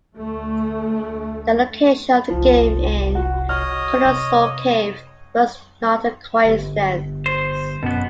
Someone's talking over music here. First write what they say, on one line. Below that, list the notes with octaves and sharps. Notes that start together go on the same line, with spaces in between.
The location of the game in "Colossal Cave" was not a coincidence.
D2 A3
F1 C2 F3
F#4
C#5 D#5 D#6 F6
C3
G1
C5
F#2 B2 B3